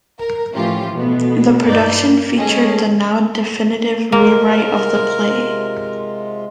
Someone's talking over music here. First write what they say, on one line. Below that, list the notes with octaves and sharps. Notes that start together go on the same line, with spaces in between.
The production featured the now definitive rewrite of the play.
A#4
A2 E3 F3 C#4 F4 G4
B2 A3 B3
G2 D#4 B4 D5 G6
A#3
G#3 A3 C#4 G#4 A4 D#5
C3 G#3 A#3 F4 A#4